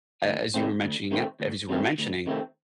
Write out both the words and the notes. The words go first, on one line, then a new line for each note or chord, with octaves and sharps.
a as you were mentioning, uh, a as you were mentioning,
D2
C3 D#3 A3 C4
D2
C3 D#3 A3 C4
D2
C3 D#3 A3 C4
D2
C3 D#3 A3 C4